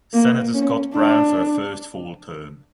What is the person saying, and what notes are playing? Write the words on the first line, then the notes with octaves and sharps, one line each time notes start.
Senator Scott Brown for her first full term.
A#3
C#4
D4